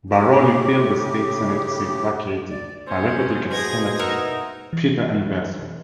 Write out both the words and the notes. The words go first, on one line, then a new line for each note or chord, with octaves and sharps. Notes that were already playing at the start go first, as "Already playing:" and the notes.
Baroni filled the State Senate seat vacated by Republican Senator Peter Inverso.
A2 C#3 G4
D5
C#4 C5
B2 G#4 G#6 A#6
D#4 A#4 E5 F#5
E3